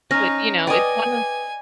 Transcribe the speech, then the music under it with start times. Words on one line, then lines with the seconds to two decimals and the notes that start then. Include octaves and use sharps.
But, you know, it's one of
0.11 C#4 D#4 F6 A#6
0.67 B4 D5 D#5 G5 G#5